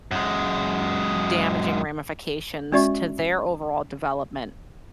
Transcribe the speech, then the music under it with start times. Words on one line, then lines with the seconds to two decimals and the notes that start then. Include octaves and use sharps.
damaging ramifications to their overall development
0.11 F#2 G#3
2.72 G#3 C#4 F#4 D5 E5 C#6